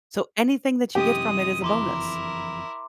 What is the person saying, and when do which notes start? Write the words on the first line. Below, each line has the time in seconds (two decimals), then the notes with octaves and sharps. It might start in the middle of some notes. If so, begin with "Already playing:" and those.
so anything that you get from it is a bonus.
0.95 F#2 C3 E3 G#3 G4 D#6
1.62 F#1 F2 E3 E4 A#4 A#5 C6 D6